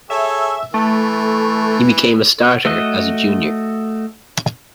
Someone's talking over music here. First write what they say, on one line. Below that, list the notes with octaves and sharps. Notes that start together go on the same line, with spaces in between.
He became a starter as a junior.
G#4 A4 C#5 E5
E3 A3
A3 F#4 D#5